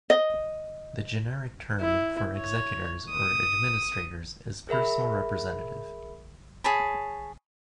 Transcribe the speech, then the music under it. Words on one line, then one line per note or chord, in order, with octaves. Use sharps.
The generic term for executors or administrators is personal representative.
D#5
E4
C#5
D#6
G#4 A#4 E5 B5
G#4 C#5 A5 B5